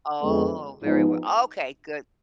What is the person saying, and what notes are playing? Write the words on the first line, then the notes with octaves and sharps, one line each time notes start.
Oh, very w okay, good.
F2 D3 G#3 B3
G#2 F3 G#3 B3 D#4